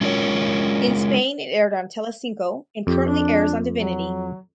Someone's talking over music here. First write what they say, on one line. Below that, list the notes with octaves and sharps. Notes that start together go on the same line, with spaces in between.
In Spain it aired on Telecinco and currently airs on Divinity.
G#3 C#4 F4 A#4 C#5
F2 G4
D4
F#3